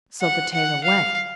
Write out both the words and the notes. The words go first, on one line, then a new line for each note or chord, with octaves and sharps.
So the tailor went.
F#5
F#5
F5